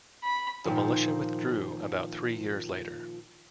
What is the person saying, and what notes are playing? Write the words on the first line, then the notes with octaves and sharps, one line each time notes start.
The militia withdrew about three years later.
B5
A#2 D#3 F3